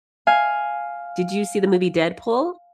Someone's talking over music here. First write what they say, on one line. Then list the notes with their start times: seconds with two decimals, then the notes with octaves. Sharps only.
did you see the movie Deadpool?
0.27 F5 G#5